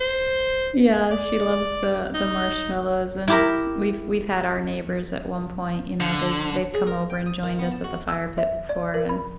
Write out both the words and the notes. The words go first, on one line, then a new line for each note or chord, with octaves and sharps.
Yeah, she loves the the marshmallows, and we've we've had our neighbors at one point, you know, they've they've come over and joined us at the fire pit before, and,
C5
D5
D#4
E4 G4 A#4
D3
G#4
A#4
G5
D#6
D#3
B3
A5
F#4
E6
E5
D5
A#4
B5